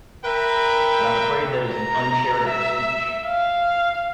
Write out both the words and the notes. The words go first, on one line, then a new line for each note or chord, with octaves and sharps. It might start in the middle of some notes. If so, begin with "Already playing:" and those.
But I’m afraid that is an uncharitable speech.
A#4 B4 E5 G5 B5
A#5
E5
F5